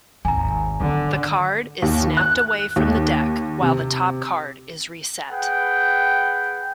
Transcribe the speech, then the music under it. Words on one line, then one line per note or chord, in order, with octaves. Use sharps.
The card is snapped away from the deck while the top card is reset.
G#1 D#2 G#5 A#5
D3 F#3 B3
D#2
F#6
D#2
C3
G#4 B4 F#5 G5